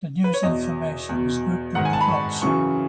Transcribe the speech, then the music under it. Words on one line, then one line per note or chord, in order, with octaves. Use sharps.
The news information is grouped into plots.
B4
C#5
E2 B2 D#5
E2 B2
G#2 D#3 F#5
G#5
A5
B5
C#6
F#2 C#3 E3 C#6